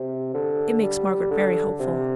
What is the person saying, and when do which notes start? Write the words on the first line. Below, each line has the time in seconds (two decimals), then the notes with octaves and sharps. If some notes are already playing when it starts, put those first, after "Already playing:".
It makes Margaret very hopeful.'
Already playing: C3
0.34 D3
0.83 G3
1.31 D3
1.79 C3